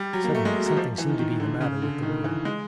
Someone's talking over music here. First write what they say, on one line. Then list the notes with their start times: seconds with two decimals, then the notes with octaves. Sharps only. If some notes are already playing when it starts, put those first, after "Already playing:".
Suddenly something seemed to be the matter with the whale.
Already playing: G3
0.13 F#3
0.24 A#3
0.35 A3
0.45 G#3
0.56 F#3
0.66 F#3
0.76 F3
0.98 E3
1.09 D#3
1.19 D#3
1.40 D3
1.61 C#3
1.82 D3
2.02 D#3
2.24 E3
2.45 G#3